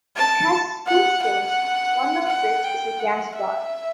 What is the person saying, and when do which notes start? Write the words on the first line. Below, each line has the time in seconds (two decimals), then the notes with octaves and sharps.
It has two stores, one of which is a gas bar.
0.17 A5
0.88 F#5
1.24 F#5
2.29 F#5
2.64 G5
3.00 F#5
3.36 E5